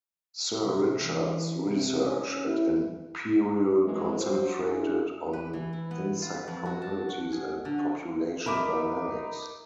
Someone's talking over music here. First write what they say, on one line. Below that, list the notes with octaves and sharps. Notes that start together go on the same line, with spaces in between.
Sir Richard's research at Imperial concentrated on insect communities and population dynamics.
C3
E3
C3
C#4
E4
C3 E3 F#3 G#3
F3 F#3 F#4 C5
D4 E4 F4 G#4
B4
E3
E4
B3
F4
F2
F#4
A5
F#4
G#4
D3
C#4
D#4 A#4 E5 B5 D6